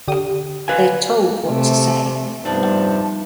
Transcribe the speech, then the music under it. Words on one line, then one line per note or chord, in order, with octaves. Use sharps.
They're told what to say.
D3 G4 D#6
B4 F5 G#5
C3 A3
G2 C3 F3 G3 B3 D#4 D5 A5